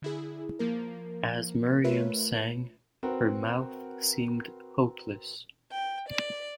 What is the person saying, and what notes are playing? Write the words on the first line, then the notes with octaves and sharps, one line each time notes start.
As Miriam sang her mouth seemed hopeless.
D3 E4 G#4
F3 A#3 A#4
A3 F4 A#4 B4 C#5 E5
C4 F#4 A#4 B4
G5
D5